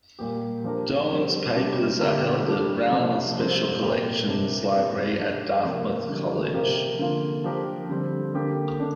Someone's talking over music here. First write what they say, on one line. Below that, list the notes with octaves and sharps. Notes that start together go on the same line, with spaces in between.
Doan's papers are held at Rauner Special Collections Library at Dartmouth College.
A#2 G3 A#3 G4
F3 D4 G4 A#4
G3 C4 A#4
C3 G3 D4 G4
D3 A#3 D4 G4 A#4
G3 D4 G4
C3 F3 D4 A#4
C3 G3 C4 A#4
A#2 A#3 G4 A#4
C3 A#3 D4
G3 C4 A#4
F3 D4 G4
C3 F3 A#3
D3 G3 A#3
C3 F3 A#3 G4 A#4
D3 A#3 F4
F3 D4 G4 A#4
D3 G3 C4
D3 A#3 G4
D3 D4